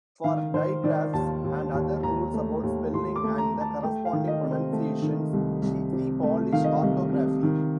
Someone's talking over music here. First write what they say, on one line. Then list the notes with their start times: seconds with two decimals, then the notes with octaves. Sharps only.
For digraphs and other rules about spelling and the corresponding pronunciations, see Polish orthography.
0.24 D#3 F5
0.54 D#3 C5
0.84 D#3 D5
1.13 D#2 A5
1.44 D#2
1.74 D#2
2.03 D#2 A#5
2.34 A3
2.63 D#2
2.93 D#2 C6
3.16 D6
3.23 A3
3.38 A#5
3.54 A3
3.61 A5
3.83 A3 G5
4.05 F5
4.13 D#3
4.27 D#5
4.43 C3
4.51 C5
4.73 A3
5.02 D#3
5.33 C2
5.62 C2
5.93 C3
6.23 A3
6.52 D#3 F5
6.64 D#5
6.76 F5
6.83 C2
7.13 C3
7.43 D#3